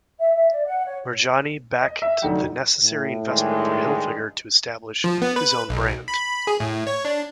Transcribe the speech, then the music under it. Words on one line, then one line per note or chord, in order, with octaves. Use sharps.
Murjani backed the necessary investment for Hilfiger to establish his own brand.
E5
E5
D5
F#5
C#5
D#5
E5
F1 D3 F#3 D#4 F#5 G5
A2
G2 D#3 G#3
F3
B3
B4
B1
B5
G#4
A2
C#5
D4